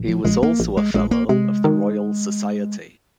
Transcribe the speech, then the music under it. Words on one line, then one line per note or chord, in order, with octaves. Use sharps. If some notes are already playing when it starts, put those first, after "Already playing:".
He was also a fellow of the Royal Society.
Already playing: A#1
F3
A#1 G#3
A#3
A#1
G#3
A#1 G#3
A#3
C3 G#3
D#3